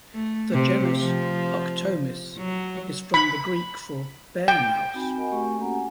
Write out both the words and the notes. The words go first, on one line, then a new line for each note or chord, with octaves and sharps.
The genus, "Arctomys", is from the Greek for "bear-mouse".
A3
C3
F3
F#3
B5
G5
C4 D#4 F#4 G#5 B5
F#4 A#4 D#5 F#5 G#5 B5
A3 F#4 G4 G#5 C#6
A#3 C#4 G4 A4 F#5 A#5
G#5